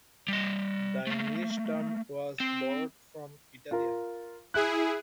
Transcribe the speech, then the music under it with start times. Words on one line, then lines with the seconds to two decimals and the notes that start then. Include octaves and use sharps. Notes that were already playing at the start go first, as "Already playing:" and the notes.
The English term was borrowed from Italian.
0.28 G3 D#5
1.07 A3 A#3
2.40 C4
3.71 F4 A#4
4.54 E4 G#4 F#6